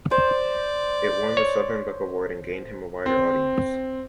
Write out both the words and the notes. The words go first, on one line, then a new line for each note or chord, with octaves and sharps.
It won the Southern Book Award and gained him a wider audience.
C5 D5
C#5
C4